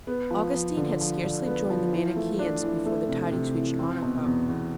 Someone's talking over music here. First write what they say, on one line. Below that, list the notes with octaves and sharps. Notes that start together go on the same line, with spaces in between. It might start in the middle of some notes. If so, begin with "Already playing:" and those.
Augustine had scarcely joined the Manicheans before the tidings reached Monica.
B3
F3
F3
D3
F3
D3
B3
F3
E3
A3
D4
E3
A3
C3
C3
E3
C4
B2
E2
E2